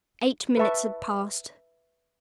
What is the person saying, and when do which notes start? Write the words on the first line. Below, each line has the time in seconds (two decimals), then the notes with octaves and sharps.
Eight minutes had passed.
0.57 B4 E5 A5 C#6